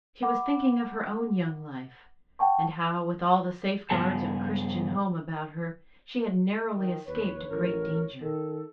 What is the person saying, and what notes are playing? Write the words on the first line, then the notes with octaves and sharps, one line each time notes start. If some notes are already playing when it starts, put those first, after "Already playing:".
She was thinking of her own young life, and how, with all the safeguards of a Christian home about her, she had narrowly escaped a great danger.
F#5 B5 D6
F#5 G5 A5 C#6
G2 C#3 B3 G#4 A5
D#3
D#2 B4 C#5
A1 A#4
D#3 A4